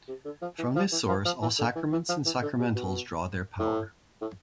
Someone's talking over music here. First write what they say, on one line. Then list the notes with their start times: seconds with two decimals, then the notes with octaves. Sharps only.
From this source all sacraments and sacramentals draw their power.
0.08 C3
0.25 D3
0.42 F3
0.58 E3
0.75 F3
0.92 E3
1.08 F3
1.25 F3
1.42 E3
1.59 D3
1.75 E3
1.92 E3
2.09 F3
2.25 E3
2.42 D3
2.59 C3
2.75 B2
3.59 A2
4.22 A2